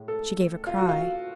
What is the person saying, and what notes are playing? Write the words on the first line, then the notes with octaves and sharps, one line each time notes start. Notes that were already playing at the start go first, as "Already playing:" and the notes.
She gave a cry.
Already playing: A2 G#3
A4
F4
F#4
F4